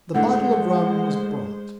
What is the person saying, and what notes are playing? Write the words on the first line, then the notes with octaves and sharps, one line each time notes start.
The bottle of rum was brought.
A2 D3 G#3 C5 F#5